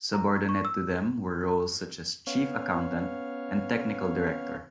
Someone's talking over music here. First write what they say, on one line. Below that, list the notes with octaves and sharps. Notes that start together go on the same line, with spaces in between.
Subordinate to them were roles such as "Chief Accountant" and "Technical Director".
A#5
C#6
E6
B3 C#4 C#5 F5